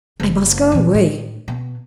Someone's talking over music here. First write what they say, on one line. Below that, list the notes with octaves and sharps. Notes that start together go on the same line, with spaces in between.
I must go away.
F#1
A#1 E3
A2
B2